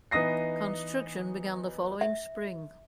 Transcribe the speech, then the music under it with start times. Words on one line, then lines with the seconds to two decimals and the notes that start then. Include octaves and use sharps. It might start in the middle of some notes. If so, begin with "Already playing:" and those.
Construction began the following spring.
0.11 E3 B3 D#4 D#6 A#6 C7
2.01 E5